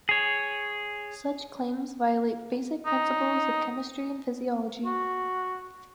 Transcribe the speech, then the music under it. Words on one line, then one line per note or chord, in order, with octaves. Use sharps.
Such claims violate basic principles of chemistry and physiology.
G#4 C#5
D#4
F#4